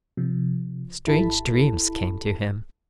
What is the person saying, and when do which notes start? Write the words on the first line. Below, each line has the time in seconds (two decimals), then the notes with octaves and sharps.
Strange dreams came to him.
0.17 C3 F3
1.06 G#1 E4 G4 A4 A5 B5